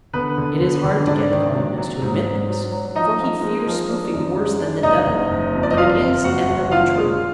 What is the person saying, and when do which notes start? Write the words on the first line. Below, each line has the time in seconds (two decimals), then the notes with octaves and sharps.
It is hard to get the colyumist to admit this, for he fears spoofing worse than the devil; but it is eminently true.
0.13 D3 B3 B4
0.38 D3
0.60 D3
0.84 D3
1.07 G#2 D4 D5
1.30 D#3
1.54 F#3
1.77 F#3
2.02 G#2
2.25 G#2
2.49 F#3
2.72 F#3
2.96 F3 D#4 D#5
3.19 F3
3.42 G#3
3.67 F3
3.89 D4
4.14 F#2
4.36 G#3
4.61 D4
4.83 F#1 D#4 D#5
5.06 F#1
5.31 F#1
5.55 F2
5.63 D5
5.71 D#5
5.77 F#1 F4 F5
6.01 F2
6.24 F#1 F#4 F#5
6.49 F#1
6.71 D4 F4 F5
6.95 G#3